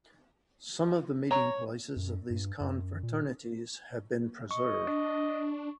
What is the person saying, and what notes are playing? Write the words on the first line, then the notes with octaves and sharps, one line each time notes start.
Some of the meeting places of these confraternities have been preserved.
C#5 A#5
F#2
G2
F#2
A#2
D#5 C#6
D4